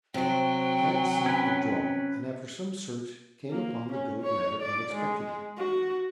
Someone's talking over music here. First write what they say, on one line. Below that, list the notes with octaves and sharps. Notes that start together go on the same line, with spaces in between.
Tad sought the draw and after some search came upon the goat rather unexpectedly.
C3 F#3 C5 G5
C#4 B4
A#3
C#4
C#5
D5
G#3
F#4